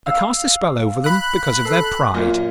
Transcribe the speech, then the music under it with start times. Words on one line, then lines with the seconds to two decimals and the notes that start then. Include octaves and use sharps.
I cast a spell over them because of their pride.'
0.06 F5 E6
1.04 B5 F#6
1.65 A4 C7
2.14 F#2 A#2